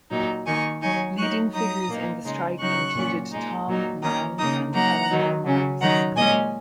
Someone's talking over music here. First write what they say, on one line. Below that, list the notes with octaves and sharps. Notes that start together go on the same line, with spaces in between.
Leading figures in the strike included Tom Mann and Eleanor Marx.
A#2 F#3 D#4
D#3 A#3 D#4 G#5 C#6
F#3 D#4 G#5 C#6
F#3 D#4 C#6 F#6
F#3 D#4 A#5 D#6
A#2 A#3 D#4
C#3 G#3 D#4
C#3 F#3 D#4 C#6 F#6
A#2 F#3 C#4
A#2 G#3 D#4
A#2 F#3 D#4
D#3 A#3 C#4 A#5 D#6
C#3 A#3 D#4 A#5 D#6
F#3 A#3 D#4 F#5 A#5
D#3 F#3 D#4
C#3 F#3 C#4
D#3 F#3 D#4 F#5 A#5
A#2 G#3 C#4 D#5 G#5